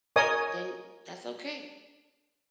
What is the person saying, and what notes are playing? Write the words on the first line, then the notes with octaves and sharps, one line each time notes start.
then, that's okay,
A#4 C#5 D#5 G#5 D#6